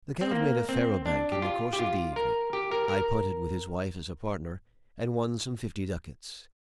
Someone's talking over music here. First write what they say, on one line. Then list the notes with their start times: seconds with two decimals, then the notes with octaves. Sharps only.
The count made a faro bank in the course of the evening, I punted with his wife as a partner, and won some fifty ducats.
0.21 C4
0.31 A#3
0.69 C4
1.06 D4
1.32 G4
1.42 F4
1.73 G4
1.79 F4
2.16 A#4
2.53 G4
2.71 A#4
2.89 A#4